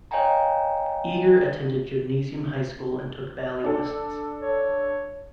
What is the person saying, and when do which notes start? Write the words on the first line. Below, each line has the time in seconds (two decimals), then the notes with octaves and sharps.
Eger attended gymnasium high school and took ballet lessons.
0.11 C#5 D#5 F5 G5 G#5 A#5
3.64 D4 A4
4.41 C#5